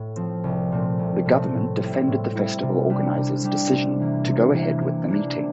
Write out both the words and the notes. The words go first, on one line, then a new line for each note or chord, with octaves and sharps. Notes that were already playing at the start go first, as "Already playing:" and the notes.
The Government defended the festival organisers decision to go ahead with the meeting.
Already playing: A2
F3 C4
C2
A#2 A3 C4
C2
A#2 A3 C4
A2
G3 C4 E4
A2
G3 C4 E4
C3
G3 D4 G4
C3
G3 D4 G4
C3
E3 A#3 E4
C3
E3 A#3 E4
C3
E3 A#3 D4
C3